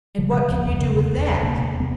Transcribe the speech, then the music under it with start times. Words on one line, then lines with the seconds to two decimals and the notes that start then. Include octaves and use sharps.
"And what can you do with that?"
0.18 C#3 F3
0.34 C#3
0.50 E2
0.65 E2
0.81 C#3
0.96 C#3
1.12 E2
1.27 E2
1.43 C3 A#3
1.59 C3
1.80 B3